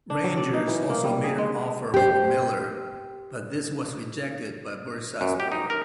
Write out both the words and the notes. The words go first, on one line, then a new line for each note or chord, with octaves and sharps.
Rangers also made an offer for Miller, but this was rejected by Bursaspor.
D4
F#3
D5
D#4
E3
A#3
G3
G#4
G#3
G4 C5
F#2
G4
D#4
A#4